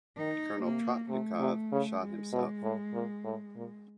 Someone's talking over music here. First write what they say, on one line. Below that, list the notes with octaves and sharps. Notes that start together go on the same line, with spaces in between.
Colonel Tretyakov shot himself.
D#3 D#4
C3 A#3
C3 A3
C3
C#3
G#3
B2
A2
A#2
A2
A#2